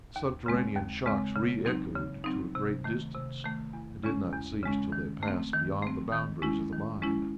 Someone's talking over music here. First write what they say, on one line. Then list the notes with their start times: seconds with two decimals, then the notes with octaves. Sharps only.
The subterranean shocks re-echoed to a great distance and did not cease till they passed beyond the boundaries of the mine.
0.16 D#2
0.46 C#3 G#3 C4
0.76 D#2
1.06 C#3 G#3 C4
1.36 C#3
1.65 F#3 C4 D#4
1.95 C#3
2.24 F#3 C4 D#4
2.55 C3
2.84 D#3 A3
3.15 C3
3.44 D#3 A3
3.73 E2
4.04 C#3 G#3 C#4
4.33 E2
4.63 C#3 G#3 C#4
4.92 D#3
5.23 A3
5.28 C4
5.53 D#3
5.82 A3 C4
6.13 D#3
6.42 G#3 C#4 E4
6.72 D#3
7.02 G#3 C#4 E4